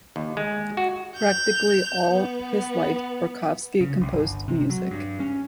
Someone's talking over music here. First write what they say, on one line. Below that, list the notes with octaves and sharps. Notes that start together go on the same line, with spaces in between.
Practically all his life Berkovsky composed music.
D#2
G#3
F#4
G6 F7
B3
C#3
C2
G1
C3
F#3
G2
C#4